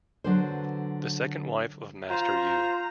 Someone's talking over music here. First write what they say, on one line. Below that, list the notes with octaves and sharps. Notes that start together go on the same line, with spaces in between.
The second wife of Master Yu.
D3 F#3 D4 B4 C5
F4 C5 A#5